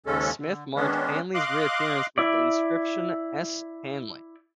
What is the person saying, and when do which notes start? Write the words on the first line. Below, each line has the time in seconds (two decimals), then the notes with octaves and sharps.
Smith marked Hanley's reappearance with the inscription S Hanley!
0.06 D#2 G#2 C#3 G#3 C#4 A4
0.40 D3
0.76 D#3 G#3 B3 C#4 D4
1.34 D#5 F5 C6 D6 F#6
2.18 E4 D5